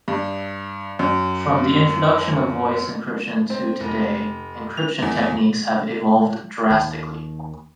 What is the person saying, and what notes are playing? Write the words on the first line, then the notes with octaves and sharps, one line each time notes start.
From the introduction of voice encryption to today, encryption techniques have evolved drastically.
G2
F#2
C4
F1
F7
E2
D#2